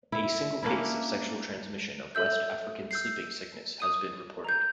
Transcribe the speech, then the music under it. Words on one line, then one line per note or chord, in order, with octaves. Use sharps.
A single case of sexual transmission of West African sleeping sickness has been reported.
E4
A#3 C#4 D4 E4
A4 E5 E6 G6
E6 G6 C7
D#6 D#7
A#5 G6